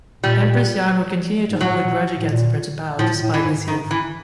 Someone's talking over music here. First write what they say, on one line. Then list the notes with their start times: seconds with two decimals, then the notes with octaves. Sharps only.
Empress Yan would continue to hold a grudge against Prince Bao, despite his youth.
0.23 A#2 G3
1.50 G#2
1.61 A2 F#3
1.85 A#2
2.19 A2
2.31 A#2
2.99 A2 F3
3.22 A2
3.34 E3
3.44 G#2
3.68 G#2 D#3
3.91 E3